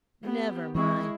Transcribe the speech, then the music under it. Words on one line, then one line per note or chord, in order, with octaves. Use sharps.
'Never mind.
B3 G4
E3 G#3 C4 E4 C#6